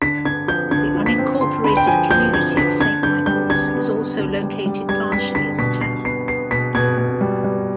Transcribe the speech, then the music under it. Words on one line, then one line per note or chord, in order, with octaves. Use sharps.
The unincorporated community of Saint Michaels is also located partially in the town.
D3 B6
D3 G#6
F3 G6
D3 G#6
F3
B6
C4
D3 C6
D3 B5
G5
F3 G#5
F3 G6
D3 G#6
D3 B6
D3 G#6
D3 G6
G3 G6
D3 G#6
B3
B3
D3
G3
G3
G3 G#6
G3 B6
D3 B6
B2 B6
B2 C7
B3 C7
B3 C7
B2 B6
B2 G#6
B2
G3
G3